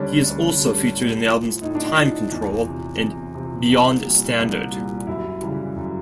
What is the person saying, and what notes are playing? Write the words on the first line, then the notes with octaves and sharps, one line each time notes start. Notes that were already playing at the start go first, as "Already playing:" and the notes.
He is also featured in the albums "Time Control" and "Beyond Standard".
Already playing: D2 D3 G3 C#4 D4
D2
D3 G3
A2
F3
A2 D#4
D4
D#4
F3
E2
C3 F3
E2
C3 F3
C2
A#2 G3
C2
G3
A#2
F#2 E4
C#3 E3 G3
F#2